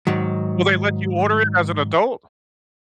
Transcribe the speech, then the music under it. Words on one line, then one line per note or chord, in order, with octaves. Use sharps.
Will they let you order it as an adult?
G#2 D#3 F#3